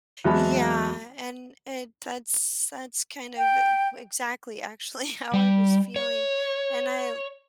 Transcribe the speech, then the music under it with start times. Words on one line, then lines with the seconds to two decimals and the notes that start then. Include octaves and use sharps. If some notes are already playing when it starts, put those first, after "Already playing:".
Yeah, and it that's that's kind of e exactly actually how I was feeling. And I
0.24 E2 F#3 G#3 A5 B5
3.37 G5
5.34 G3
5.96 C#5